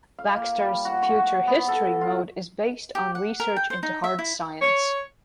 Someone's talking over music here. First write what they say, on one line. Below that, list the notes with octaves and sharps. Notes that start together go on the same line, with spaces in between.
Baxter's "Future History" mode is based on research into hard science.
F5
A#3
G3
F#4
C#6
F#4
B3
A4
F4
G4
F#5
A#4
G5
C5
D#4
E5
E4
C#5